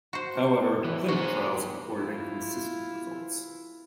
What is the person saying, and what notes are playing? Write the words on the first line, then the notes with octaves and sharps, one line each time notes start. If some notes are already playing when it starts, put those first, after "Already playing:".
However, clinical trials have reported inconsistent results.
F#4 C5
E3
F#4 G#4 C5
E4 F4